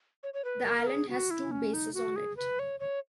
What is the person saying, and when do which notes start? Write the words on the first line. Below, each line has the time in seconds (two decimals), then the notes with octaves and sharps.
The Island has two bases on it.
0.23 C#5
0.34 C#5
0.45 B4
0.66 A#4
0.87 G#4
1.09 F#4
1.31 E4
1.51 C#4
1.73 D#4
1.94 F#4
2.16 G#4
2.37 B4
2.59 C#5
2.80 C#5